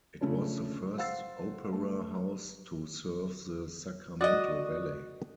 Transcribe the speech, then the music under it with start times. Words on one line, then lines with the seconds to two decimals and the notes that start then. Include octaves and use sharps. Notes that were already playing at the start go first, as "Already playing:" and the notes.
It was the first opera house to serve the Sacramento Valley.
0.21 C#3 F3 A3 C#4 D4
0.98 C5 F5 F#5 E6 A6 C7
1.72 A3
4.21 F#4 D5 D#5 D#6